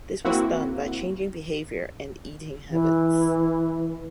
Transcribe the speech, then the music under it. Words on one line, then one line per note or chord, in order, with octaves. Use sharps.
This was done by changing behaviour and eating habits.
A#3 C4 E4 F#4
E3